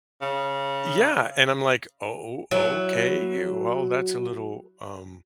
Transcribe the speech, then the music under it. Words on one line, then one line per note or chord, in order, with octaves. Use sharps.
Yeah. And I'm like, "Oh oh okay, y well, that's a little, um
C#3
F#3 E4